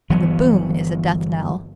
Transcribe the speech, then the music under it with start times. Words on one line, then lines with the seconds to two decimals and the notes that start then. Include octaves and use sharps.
And the boom is a death-knell.
0.10 G1 E3 F#3 B3